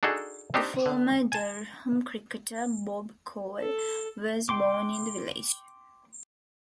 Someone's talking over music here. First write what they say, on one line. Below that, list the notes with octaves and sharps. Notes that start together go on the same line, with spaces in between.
The former Durham cricketer Bob Cole was born in the village.
D4 D#4 F#4 G#4 A4
C4 D4 D#4 G4
D3
G#5 A5
A4
G5 C6 D6